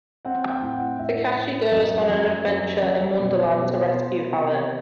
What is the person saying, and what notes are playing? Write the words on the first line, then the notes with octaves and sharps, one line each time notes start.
Takashi goes on an adventure in Wonderland to rescue Alice.
C4 F#5
G5
A2
F#5
A2 E5
A2
F#2 D#5
F#2
F#2
F#2
B2
B2 G4
A4
B4
B3 C5
C3